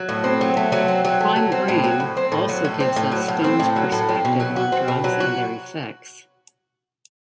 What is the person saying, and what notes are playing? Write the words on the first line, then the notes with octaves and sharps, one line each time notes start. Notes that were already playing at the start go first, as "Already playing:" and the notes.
"Prime Green" also gives us Stone's perspective on drugs and their effects.
Already playing: F#3
A2
C4
F#3
A3
F#3
C4
F#3
A3
F#3
C4
A2
F#3
A2
C4
A2
F#3
A2
C4
A2
F#3
A2
C4
A2
F#3
A2
C4
B2
F#3
F#4
C4
B2
F#3
F#4